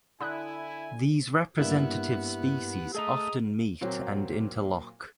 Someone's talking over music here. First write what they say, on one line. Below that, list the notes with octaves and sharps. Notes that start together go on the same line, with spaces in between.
These representative species often meet and interlock.
D3 E4 G#5 B5 D#6 F#6
G2 A#3 B3 D4 E4 G4 E5 F#5
A3 G#4 D#5 A#5 D#6
A#2 F#3 A#3 C4